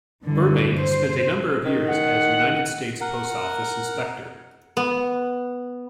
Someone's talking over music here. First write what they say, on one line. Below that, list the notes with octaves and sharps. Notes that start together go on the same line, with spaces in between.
Burbank spent a number of years as United States post office inspector.
G2 D3 E3
C5
D#3
F#5
A#4 F#5
B3